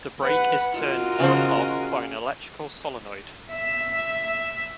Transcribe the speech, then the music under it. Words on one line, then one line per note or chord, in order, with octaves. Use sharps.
The brake is turned on and off by an electrical solenoid.
B4 F#5
F4 F#4 A#4 D#5
C#3 C5
E5